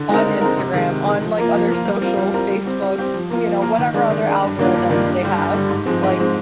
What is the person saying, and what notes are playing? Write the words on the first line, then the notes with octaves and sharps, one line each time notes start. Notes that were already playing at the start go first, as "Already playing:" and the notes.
on Instagram, on, like, other social Facebooks, you know, whatever other algorithms they have, like,
Already playing: D3
G#3 C4 D#4 A#4
D3
G#3 C4 D#4 A#4
C3
D#3 G#3
C3
D#3 G#3
F3
A#3 F4 A#4
F3
A#3 F4 A#4
G3
C4 F4 A#4
G3
C4 F4 A#4
G3
C4 G4
G3
C4 G4
F3
A#3 F4 A#4
F3
A#3 F4 A#4
D#3
G#3 D4
D#3
G#3 D4
G2
D#3 A#3 D4 F4
G2
D#3 A#3 D4 F4
G2
D3 G3
G2
D3 G3
G#2
F3 G#3 C4
G#2
F3 G#3 C4